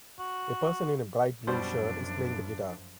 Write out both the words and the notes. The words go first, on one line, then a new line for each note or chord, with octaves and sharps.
A person in a bright blue shirt is playing the guitar.
F#4
F#2 B2 F3 G3 D4 F#4 C5